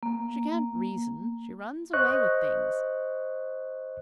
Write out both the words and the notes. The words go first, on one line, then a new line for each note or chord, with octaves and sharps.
She can't reason; she runs away with things.
A#3
C5 D#5 C#6 F#6